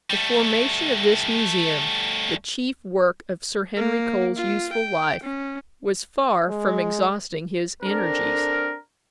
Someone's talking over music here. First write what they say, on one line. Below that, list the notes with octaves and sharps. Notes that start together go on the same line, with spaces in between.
The formation of this Museum, the chief work of Sir Henry Cole's useful life, was far from exhausting his energies.
G3 A3
A#3
F4
G5
C#4
G#3
C4 D4 A4 A#4